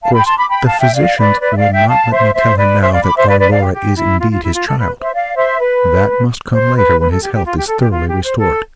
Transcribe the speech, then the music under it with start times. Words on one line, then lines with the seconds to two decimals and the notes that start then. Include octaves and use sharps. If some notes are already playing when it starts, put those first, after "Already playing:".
Of course the physicians will not let me tell him now that our Laura is indeed his child--that must come later, when his health is thoroughly restored.
0.02 F5 A5
0.14 G5 B5
0.25 A5 C6
0.37 B5 D6
0.48 G5 B5
0.65 F5 A5
0.79 E5 G5
0.95 D5 F5
1.18 B4 D5
1.41 B4 D5
1.52 E5
1.57 D5 F5
1.73 E5 G5
1.88 F5 A5
2.11 C5 E5
2.34 C5 E5
2.57 B4 D5
2.81 C5 E5
2.92 D5 F5
3.04 B5 D6
3.16 C5 E5
3.27 B4 D5
3.39 B4 D5
3.50 D5 F5
3.62 G4
3.74 G4
3.97 E4
4.20 F4
4.32 F4
4.44 E4
4.55 F4
4.67 A4
4.79 B4
5.02 C5 E5
5.13 D5 F5
5.36 C5 E5
5.59 B4
6.52 C5
6.76 B4
7.00 B4
7.11 A4
7.23 G4
7.34 G4
7.46 F4
7.57 G4
7.68 A4
7.80 G4
7.92 F4
8.08 G4
8.23 C5
8.38 A4